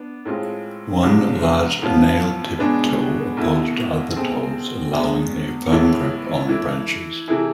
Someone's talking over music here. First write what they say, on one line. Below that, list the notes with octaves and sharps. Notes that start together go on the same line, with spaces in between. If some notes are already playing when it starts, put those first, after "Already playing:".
One large, nail-tipped toe opposed other toes, allowing a firm grip on branches.
Already playing: B3 D4
A2 G#3 C4 F4
C2 C3 G#3 D4 F4
A2 F3 B3 F4
B2 G#3 D4 G#4 B4
C2 B2 A3 E4
B2 A3 C4 G#4
E2 B2 G#3
A2 E3 G#3 B3 E4
E3 A3 E4
C3 E3 A3 E4 G#4